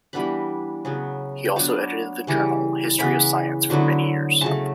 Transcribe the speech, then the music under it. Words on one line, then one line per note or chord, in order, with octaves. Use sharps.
He also edited the journal "History of Science" for many years.
E3 G3 B3 D4 B5
C#3 F#3 B3
G5
F#3 B3 D4 A5
C#3 E3 G3
C#3 E3 B3 B5
D3 F#3 B3 E4
C#3 F#3 A3 A5